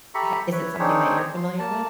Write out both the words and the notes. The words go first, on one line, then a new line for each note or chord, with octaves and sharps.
ha is it something that you're familiar with?
G4 A4 E5 A#5 B5 C#6
B4 C#5 E5
C4 D4 D#4 G#4 C5 C#5
C6
A#3 A5